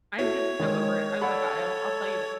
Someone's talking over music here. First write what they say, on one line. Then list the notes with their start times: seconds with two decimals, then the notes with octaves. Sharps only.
I'm just so over it, oh my god, I'll I'll tell you this.
0.19 E4 F#4 A4 C#5
0.59 D#3 G#3
1.21 A4 D5 F#5 B5